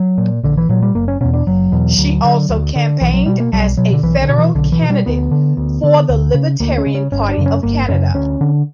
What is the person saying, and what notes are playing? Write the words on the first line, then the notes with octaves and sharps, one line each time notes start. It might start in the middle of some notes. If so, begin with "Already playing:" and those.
She also campaigned as a federal candidate for the Libertarian Party of Canada.
Already playing: F#3
A#2
A#1 D3
E3
A#2 F#3
G3
F#1 A#3
C#4
E2 B2 C#4
D4
F#1 F#3
E2 B2
D2
D3
D2
D3
B1 E3
F#3
B2 G3
A#3
B1 G3
B2 F#3
D3
B1 E3
D3
B2
E3
B1 D3
E3
B2
G3
D2 B3
D3
D2
D3
D2
C#3
D2 A#3
C#4
C#3
C#4
G1 C#4
D4
F#2 C#3
C#4
G1 A#3
F#2 C#3 C#4
D2 C#4
D3